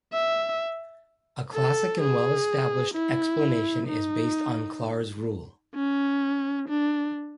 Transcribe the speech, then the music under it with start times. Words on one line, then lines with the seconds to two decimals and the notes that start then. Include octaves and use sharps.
A classic and well established explanation is based on Clar's rule.
0.13 E5
1.54 A4
2.01 G#4
2.94 E4
3.87 D#4
5.75 C#4
6.68 D4